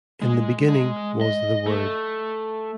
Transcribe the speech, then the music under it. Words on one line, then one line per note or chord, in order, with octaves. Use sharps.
In the beginning was the Word.
G#3
G#3
D#5
A3